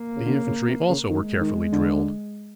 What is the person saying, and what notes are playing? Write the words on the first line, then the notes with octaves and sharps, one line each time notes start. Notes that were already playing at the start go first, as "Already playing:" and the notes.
The infantry also were carefully drilled.
Already playing: A#3
C#3
D3
C#3
C#3
C3
C#3
D#3 G#3
D#3
D3